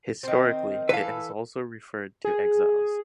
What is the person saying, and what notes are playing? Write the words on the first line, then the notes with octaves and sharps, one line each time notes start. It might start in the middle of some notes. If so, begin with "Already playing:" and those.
Historically, it has also referred to exiles.
D#3 C4
E3 A4 B4 F5
G#4